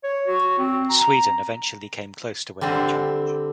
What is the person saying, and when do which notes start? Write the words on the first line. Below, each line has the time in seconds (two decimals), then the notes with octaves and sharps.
Sweden eventually came close to winning the championship.
0.04 C#5
0.27 F#4
0.58 C4
0.90 A#5
2.61 D3 G3 C4 D4